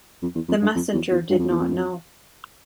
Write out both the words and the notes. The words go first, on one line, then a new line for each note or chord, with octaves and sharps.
The messenger did not know.
F2
E2
F2
G2
F2
E2
E2
G2
F2
E2
F2